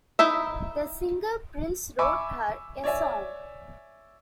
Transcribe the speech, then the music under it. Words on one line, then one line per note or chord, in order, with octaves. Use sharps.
The singer Prince wrote her a song.
D#4 E4 E5
E5 G#5 B5 C#6 D6 E6
C#5 D5 E5 G#5